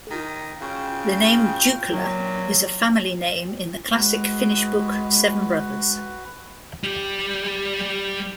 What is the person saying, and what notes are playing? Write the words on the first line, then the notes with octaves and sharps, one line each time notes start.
The name Jukola is a family name in the classic Finnish book, "Seven Brothers".
D#3
C#3 F4 F#4 G5
A#2 F#3
G#3 F#4 B4
G3 G4